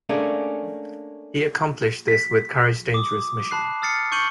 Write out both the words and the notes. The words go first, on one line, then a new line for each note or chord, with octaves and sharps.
He accomplished this with courage dangerous mission.
A3 A#3 C#4 D4 G#4
B6
D6 D#6
A5 B5 F#6 C7
D#6 F6 A6 C7 C#7
C#6 G6 C#7 D#7 F#7 G7